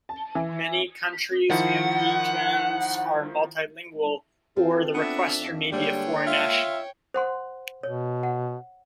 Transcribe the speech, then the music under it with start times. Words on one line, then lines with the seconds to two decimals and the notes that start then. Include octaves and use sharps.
Many countries and regions are multi-lingual, or the requestor may be a foreign national.
0.09 A5
0.35 E3
1.50 D#3 F3 E4 F#5
4.56 C4 F4 A4
4.94 B3 D4 E5
5.39 F2
5.72 D3 G3 G#3 A#3 C#5 G5
6.27 F4 E5
7.14 C5 F#5 C6
7.83 B2 C#5
8.23 F#5